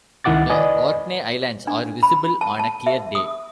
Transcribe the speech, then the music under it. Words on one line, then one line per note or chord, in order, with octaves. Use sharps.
The Orkney Islands are visible on a clear day.
C#2 D#3 E4 F#5 D6 A6
B4 D5 D#5 G#5
D4
B5
A5
A5
E5
D#6